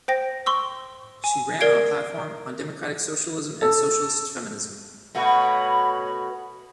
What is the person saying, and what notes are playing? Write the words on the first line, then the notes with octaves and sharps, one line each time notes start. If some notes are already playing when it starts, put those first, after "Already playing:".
She ran on a platform on democratic socialism and socialist feminism.
C5 G5 A#6
C6 C#6 E6
G#5
A#4 D5 G#6 C7 D7
A4
B2 A3 F#4 C#5 B5